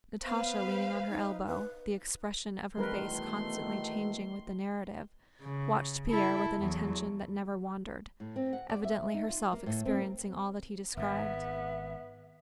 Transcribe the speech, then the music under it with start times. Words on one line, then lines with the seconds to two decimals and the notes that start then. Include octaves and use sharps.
Natasha, leaning on her elbow, the expression of her face constantly changing with the narrative, watched Pierre with an attention that never wandered--evidently herself experiencing all that he described.
0.25 B3 B4 C5 F5
1.10 D#4
1.47 B4
2.77 E2 B2 D#3 G3 A3 A#4 B4 C6
5.43 C#3
6.09 E4 A4
6.58 E2 F#3
8.20 A2
8.36 C4
8.53 F#5
8.69 D5
8.84 E5
9.02 G3
9.14 D#4
9.29 F4
9.53 A#3
9.66 A2
9.85 C4
10.01 A#4
10.97 G#1 G#2 B3 E5